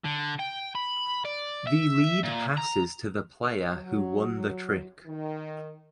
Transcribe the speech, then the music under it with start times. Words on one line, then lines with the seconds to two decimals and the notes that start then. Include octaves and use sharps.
The lead passes to the player who won the trick.
0.04 D3
0.39 G5
0.75 B5
1.25 D5
1.67 E5
2.24 A#2
2.58 A#5
3.71 F#3
5.06 D#3